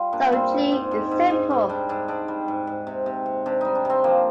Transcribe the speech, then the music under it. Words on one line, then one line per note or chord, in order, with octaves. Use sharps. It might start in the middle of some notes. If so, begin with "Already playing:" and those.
So "G" is simple.
Already playing: G3 F4
A#2 D4
G3 C4
G#2
G#2
G#2
G#2
G#2
G#2
G3 D4
G#2 D4
G#2 D4
G3
G#2
G#2
C3
C3
C3
C3 D4
G3 D#4
D4
C3 C4
F3 A#3